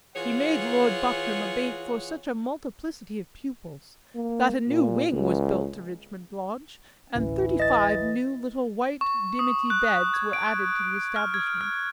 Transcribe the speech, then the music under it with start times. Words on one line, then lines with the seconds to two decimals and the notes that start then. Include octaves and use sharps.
He made Lord Buckram a bait for such a multiplicity of pupils, that a new wing was built to Richmond Lodge, and thirty-five new little white dimity beds were added to the establishment.
0.16 E3 F4 G#4 C#5 F#5
4.15 A#3
4.69 A#2
5.12 C#2
7.15 D1 A1 E3 C#4
7.60 D#5 A6
9.01 C#6
9.39 D#6
9.70 F#6
10.14 G#6
10.33 D7
11.16 F6
11.34 G#6
11.61 F6